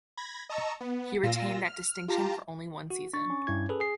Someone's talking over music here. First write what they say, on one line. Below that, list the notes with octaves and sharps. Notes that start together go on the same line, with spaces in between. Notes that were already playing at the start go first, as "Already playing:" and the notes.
He retained that distinction for only one season.
B5 G#6 A#6
D#5 A5 A#5 C#6 E6
B3
A#2 F4 E6 A#6
F6
F4 G4 A5 A#5
F#4
D4 C#6 A6
C#4
G2 E4 G#6
G#4 A4 B4
G#4 C7